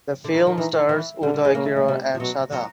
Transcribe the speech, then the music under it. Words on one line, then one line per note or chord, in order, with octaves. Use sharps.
The film stars Uday Kiran and Sadha.
D3
D#3
D#3
D#3 E3
D#3
E3
D3 G3
G3
G#3
C#3 A#3
A3
G#3
C3 G3
F3
B2 F#3
F#3